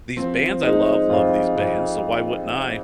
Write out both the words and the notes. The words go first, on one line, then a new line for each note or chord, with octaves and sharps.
these bands I love, love these bands, so, why wouldn't I
F3 C4
G#3 D#4
F2 F4
F2